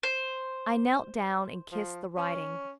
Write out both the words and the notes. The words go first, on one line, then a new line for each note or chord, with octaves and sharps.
I knelt down and kissed the writing.
C5
F3
C#4